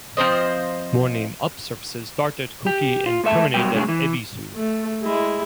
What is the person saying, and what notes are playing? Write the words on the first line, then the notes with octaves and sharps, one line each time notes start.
Morning "Up" services start at Kuki and terminate at Ebisu.
F3 C4 C5 D#5
G4
F4
G#2 A3 E5 A5
B2 F#3 G3 G5
G#2 C3 F#3 A3 D4 G#4
E3
A3
G#3 E4